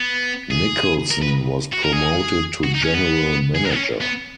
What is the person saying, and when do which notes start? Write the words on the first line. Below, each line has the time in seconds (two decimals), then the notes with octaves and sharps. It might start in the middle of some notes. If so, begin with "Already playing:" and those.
Nicholson was promoted to general manager.
Already playing: B3
0.51 G#4
1.11 A#4
1.22 B4
1.72 F#4
1.82 A#4
1.92 G#4
2.63 F#4
2.74 D#4
2.84 C#4
2.94 B3
3.55 G#4
3.65 A#4
3.75 C#4
4.01 B3